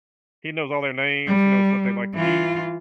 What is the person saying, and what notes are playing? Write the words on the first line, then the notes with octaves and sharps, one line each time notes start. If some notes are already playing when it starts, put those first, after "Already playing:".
he knows all their names, he knows what they like to eat.
G3
E3 F4